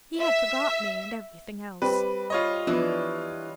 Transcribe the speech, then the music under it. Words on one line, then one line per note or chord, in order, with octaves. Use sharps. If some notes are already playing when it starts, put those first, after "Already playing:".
He had forgot me and everything else.
E5
G3 C4 B4
F4 C#5 D#5
E3 F3 B3 D4